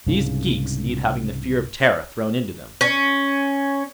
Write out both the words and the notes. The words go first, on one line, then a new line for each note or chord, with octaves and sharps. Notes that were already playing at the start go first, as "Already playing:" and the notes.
"These geeks need having the fear of Terra thrown into them."
C2 G#2 C#3
C#4